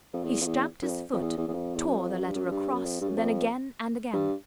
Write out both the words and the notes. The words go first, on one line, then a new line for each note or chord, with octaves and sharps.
He stamped his foot, tore the letter across, then again and again.
F2
E2
F2
E2
F#2
F2
F2
E2
E2
E2
F2
E2
F#2
F2
F#2
G2
F#2
F#2
G2
F#2
F2
G2
F#2
F2
G2